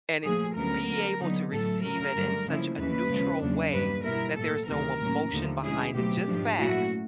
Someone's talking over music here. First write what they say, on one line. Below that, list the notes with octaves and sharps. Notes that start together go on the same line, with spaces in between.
and in be able to receive it in such a neutral way that there's no emotion behind it, just facts,
A#2 F3 A3 G#4
D2 C#3 F#3 B3 A#4
D2 D3 F#3
D3 F#3 B3 D#4
A2 F#3 A3 A4
C#3 F#3 A3 C#4 A#4
G2 D3 F#3 A3
C#3 F3 A#3 C#4 E4
D#2 C#3 E3 B4
E2 C#3 F3 G#3
E2 C#3 F#3 A#3 D4
G2 D#3 G3 A#3 B4
B2 G3 B3 E4 A#4
A2 F#3 A#3 A4
D2 C3 D#3 A#4
A2 F#3 A#3 C#4
D#2 D3 F3 A3
B2 G#3 C#4 E4 G#4
B2 F#3 A3 C4 G4
G#2 F3 A3 D4
A#2 F#3 A3 C#4 E4 F#4